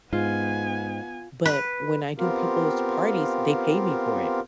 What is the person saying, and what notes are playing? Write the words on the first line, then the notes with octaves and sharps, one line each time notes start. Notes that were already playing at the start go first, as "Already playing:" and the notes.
but when I do people's parties, they pay me for it.
G#2 B3 F4 G#5
B4
B3 C4 F4 G4 A#4 F5